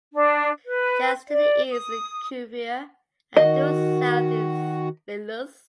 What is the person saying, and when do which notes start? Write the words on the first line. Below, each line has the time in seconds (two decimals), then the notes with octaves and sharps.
Just to the east is Cuvier, and due south is Lilius.
0.14 D4
0.65 B4
1.28 D5
1.71 D#6
3.37 D#3 F#4 D#5